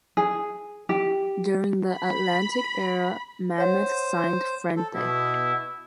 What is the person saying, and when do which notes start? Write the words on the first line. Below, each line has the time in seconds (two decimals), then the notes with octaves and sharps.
During the Atlantic era, Mammoth signed Frente!
0.17 G#4
0.89 G4
1.92 B5
3.58 C5 C#5 F#5
4.76 A4
4.94 B2 B3 E4